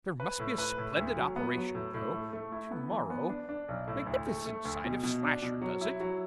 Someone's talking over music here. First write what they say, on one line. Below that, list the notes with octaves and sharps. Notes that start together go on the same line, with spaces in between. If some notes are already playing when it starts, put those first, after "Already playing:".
There must be a splendid operation, though, to-morrow--magnificent sight if Slasher does it.'
B4
A2
B4
A2
D2
F#3
B3
F#3
A2
A2
A3
A3
E4
B3
E3
B3
D4
D4
B1
A2
D2
A3
A3
D2
B2
B2
D4
B2
F#3
E4
F#3